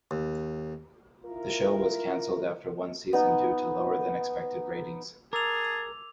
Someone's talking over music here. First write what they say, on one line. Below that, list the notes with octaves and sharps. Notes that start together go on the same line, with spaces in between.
The show was canceled after one season due to lower than expected ratings.
D#2
E4 F4 A#4
B3 D#4
G#4 A#4 A5 D6 E6 F7